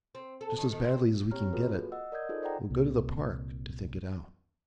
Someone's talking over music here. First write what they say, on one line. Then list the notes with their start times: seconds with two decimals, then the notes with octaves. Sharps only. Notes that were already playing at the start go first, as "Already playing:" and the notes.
Just as badly as we can get it. We'll go to the Park to think it out.'
0.15 C4
0.41 A4
0.58 D#3
0.72 D#3
0.84 C4
1.31 C4 G4 C#5 A#5 F6
1.53 A#3 F4 F#4 G#4 A4 B4
1.92 D#5 F#5 E6
2.12 A#4 D5 D#5 D#6 G6 G#6
2.29 D#4 F4 G#4 A4 C5
2.42 A4 C5 D5 F#5 G5 A#5
2.70 C2 A#2